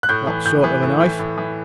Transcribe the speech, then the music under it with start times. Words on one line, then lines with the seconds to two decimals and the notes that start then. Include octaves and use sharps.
"What sort of a knife?"
0.03 F#6
0.09 A2 G6
0.27 E3
0.46 A2 G6
0.64 E3
0.83 A2
1.00 E3
1.19 A2
1.38 E3